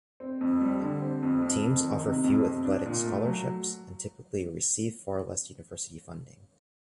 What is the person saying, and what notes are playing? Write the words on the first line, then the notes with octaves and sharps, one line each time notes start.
Teams offer few athletic scholarships and typically receive far less university funding.
C4
F2
G3
D3
C4
F2
F2
F2
D#3
C3
F2
F2
D4
A#2
A3
F#3